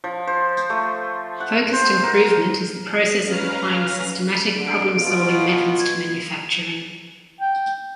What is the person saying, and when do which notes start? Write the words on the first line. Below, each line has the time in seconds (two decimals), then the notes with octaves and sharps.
Focused Improvement is the process of applying systematic problem solving methods to manufacturing.
0.04 F3
0.27 C5
0.70 A3
1.40 F#5
1.73 C5
2.04 A#4
3.25 C#4 B4 F5 A#5 F6
4.56 D3 D7
4.97 B2 F4
5.80 G#6
7.40 G5